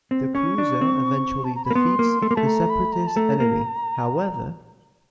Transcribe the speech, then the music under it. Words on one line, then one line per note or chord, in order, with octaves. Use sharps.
The cruiser eventually defeats the Separatist enemy, however.
C4
C#4 C#6
D4
C4
A5
A#5
B5
A#3
B3 C6
A#3
A3
A#3
A3 A5
A#5
B5
A#5
A5
A3 A#5
A#3